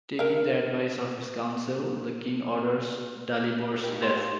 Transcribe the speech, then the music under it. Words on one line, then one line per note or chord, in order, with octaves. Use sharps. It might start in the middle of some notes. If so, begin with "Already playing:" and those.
Taking the advice of his council, the king orders Dalibor's death.
A#4 F5
D#4 G4
C6